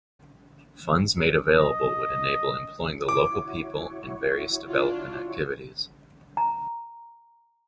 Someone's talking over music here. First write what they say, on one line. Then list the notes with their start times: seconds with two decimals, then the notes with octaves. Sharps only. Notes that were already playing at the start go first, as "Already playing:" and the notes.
Funds made available would enable employing the local people in various development activities.
1.57 D#5
3.09 E4 F#4 C#5 D6
4.68 D4 F4
6.37 A#5